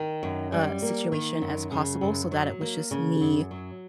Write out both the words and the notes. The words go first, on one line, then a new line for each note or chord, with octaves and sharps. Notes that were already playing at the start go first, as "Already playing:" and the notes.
uh, situation as possible so that it was just me f
Already playing: D#3
F#2
G3
A#3
D#3
F#2
C#3
F#2
F#3
A#3
C#3
F#2
F#3